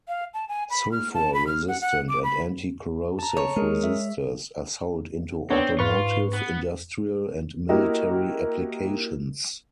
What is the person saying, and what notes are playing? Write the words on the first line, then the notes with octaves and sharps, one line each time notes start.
Sulfur resistant and anti-corrosive resistors are sold into automotive, industrial, and military applications.
F5
A5
G#5
B5
F6
A5
B5
F6
F#5
F#5
D6
B5
A5 A#5
C#5
G#3 G#4 A#4
E5
B3 C4 D4 C#5
G#2 F4 B4 C#6
B3
A#3 E4 F#4 G4 A#4 D#5